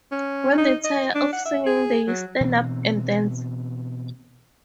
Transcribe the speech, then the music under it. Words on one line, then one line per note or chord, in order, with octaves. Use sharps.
When they tire of singing they stand up and dance.
C#4
D#4
D#5
D4
F#5
E5
G#4
F#3
B2 E3 C4